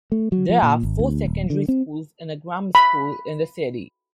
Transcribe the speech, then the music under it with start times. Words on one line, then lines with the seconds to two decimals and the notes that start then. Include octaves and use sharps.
There are four secondary schools and a grammar school in the city.
0.12 A3
0.32 F#3
0.49 F3
0.62 A#2
0.83 G#1
0.99 D2
1.26 D#1
1.50 D3
1.68 C4
2.75 B5